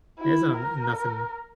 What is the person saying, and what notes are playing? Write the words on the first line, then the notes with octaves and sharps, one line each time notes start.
it's not nothing,
E4
A#4